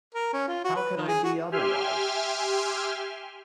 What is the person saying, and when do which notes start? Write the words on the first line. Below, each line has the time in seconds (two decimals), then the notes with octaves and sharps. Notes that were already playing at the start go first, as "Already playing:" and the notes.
How can I be otherwise?
0.15 A#4
0.33 C#4
0.48 F4
0.64 F#4
0.76 B4
0.97 D#3
1.08 G#4
1.24 F#4
1.52 G4 E5 G#5 C6 F6